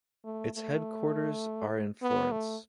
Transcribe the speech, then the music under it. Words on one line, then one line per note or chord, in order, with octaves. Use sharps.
Its headquarters are in Florence.
A3
A3
B3
A3